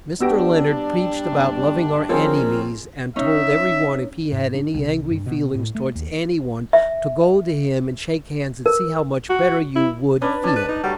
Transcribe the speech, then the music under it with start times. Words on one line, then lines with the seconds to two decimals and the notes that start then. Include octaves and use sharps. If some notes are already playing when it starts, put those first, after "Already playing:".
Mister Lennard preeched about loving our ennymies, and told every one if he had any angry feelings towards ennyone to go to him and shake hands and see how much better you wood feel.
0.21 G3 B3 D4 F#4 G4 E6 A#6 D7
1.32 G1
2.09 F3 C4 C#4 F4 G#4 A#4
3.16 C#4 D#4 C#5 E5
4.32 G#2
4.54 D4
4.74 C2
5.10 G2
5.26 B2
5.55 A2
5.75 A3
5.95 D#2
6.73 E5
8.66 A#4
9.30 F#4
9.75 E4
10.22 C#4 D4 B4
10.44 C#4 D4 A5
10.56 B4
10.69 D#4
10.84 F#3 G3 A3